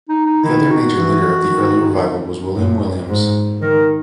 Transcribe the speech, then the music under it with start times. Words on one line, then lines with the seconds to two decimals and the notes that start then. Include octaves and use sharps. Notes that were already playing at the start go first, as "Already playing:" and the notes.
The other major leader of the early revival was William Williams.
0.09 D#4
0.25 D#4
0.44 D#3 E4
0.70 F#4
0.96 E3
1.50 D#3
2.55 F#2
3.08 G#2
3.61 D#3 A#4